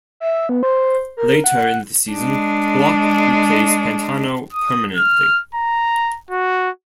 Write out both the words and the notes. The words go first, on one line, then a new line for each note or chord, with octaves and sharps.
Later in the season, Glock replaced Pantano permanently.
E5
B3
C5
A#4
F#5
G#3 D4
D#6
F6
A#5
F#4